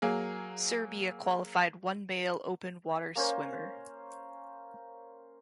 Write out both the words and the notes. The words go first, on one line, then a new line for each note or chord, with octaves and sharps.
Serbia qualified one male open water swimmer.
F#3 A#3 G#4
A#3 C#4 A#4 C5